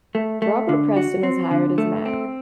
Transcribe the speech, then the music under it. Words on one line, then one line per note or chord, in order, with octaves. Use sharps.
Robert Preston was hired as Mack.
A3
A3
D3
F#4
C4
D3
A3
C4